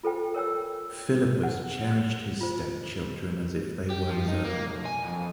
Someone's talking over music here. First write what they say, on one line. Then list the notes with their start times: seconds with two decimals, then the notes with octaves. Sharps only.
Philippus cherished his stepchildren as if they were his own.
0.03 F4 A4 C5 G5
0.34 A#4 C#5 G5 E6
1.43 F#5
2.41 F4 C5
3.90 G4
4.09 F3
4.28 D#4
4.45 A#3
4.66 B1
4.86 G#5
5.04 F2